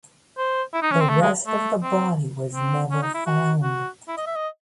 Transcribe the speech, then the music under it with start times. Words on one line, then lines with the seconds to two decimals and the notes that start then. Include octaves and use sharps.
The rest of the body was never found.
0.38 C5
0.74 E4
0.82 D#4
0.92 C#4
1.01 C4
1.10 A3
1.22 G#3
1.47 A3
1.83 C4
2.54 C4
2.91 C#4
3.02 D#4
3.14 E4
3.26 F#4
3.63 F#4
4.08 E4
4.18 D#5
4.27 E5
4.36 D#5